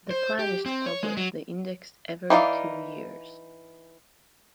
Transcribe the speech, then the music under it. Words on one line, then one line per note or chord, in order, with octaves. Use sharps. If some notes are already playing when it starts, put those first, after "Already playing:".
The plan is to publish the index every two years.
C5
G4
C4
C#5
G#3
F#3
E3 D#4 D5 F5